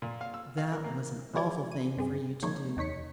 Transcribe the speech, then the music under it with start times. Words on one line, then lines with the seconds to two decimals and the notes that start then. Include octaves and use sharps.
That was an awful thing for you to do.
0.02 A#2
0.21 F5
0.34 E6
0.58 F5
0.72 A#4
0.84 A#3
1.34 E3 G#3 F#4 C#5 D5 G#6
1.72 D#7
1.97 G2 C4 G#4
2.43 F3 G#3 A#3 D#4 C#5 G#6
2.77 E2 D#4 C#5 B6 C#7